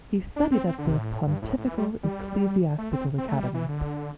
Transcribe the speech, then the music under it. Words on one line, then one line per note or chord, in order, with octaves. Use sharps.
He studied at the Pontifical Ecclesiastical Academy.
D4
C4
C4
D3
C3
A2
G2
A2
A2
E3
G3
G3
A3
C4
C4
A3
G3
E3
D3